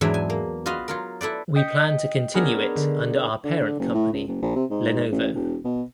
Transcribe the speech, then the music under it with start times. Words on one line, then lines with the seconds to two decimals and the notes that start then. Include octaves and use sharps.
We plan to continue it under our parent company, Lenovo.
0.01 E2 G#2 E3 F#3 D4 E5
0.14 G#5
0.30 A#3
0.66 F4 F#4 B4 D#5 F5
0.88 F#3 F4 A#4
1.21 E4 A4 B4 D5
1.55 D#5 G5 D#6 G6 B6 C#7
2.34 B3 C#4 D4 G#4 A#4
2.75 D3
3.44 D3
3.79 F#1
3.95 A2
4.13 C#2
4.28 F#1
4.42 A#1
4.56 C3
4.70 G#2
5.11 A1
5.35 E1
5.64 B2